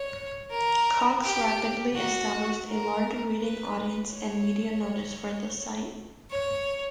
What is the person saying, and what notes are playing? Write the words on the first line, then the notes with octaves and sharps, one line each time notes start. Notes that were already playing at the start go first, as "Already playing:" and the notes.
Cox rapidly established a large reading audience and media notice for the site.
Already playing: C#5
A#4
G4
F#4
A#4
B4
C#5
C#5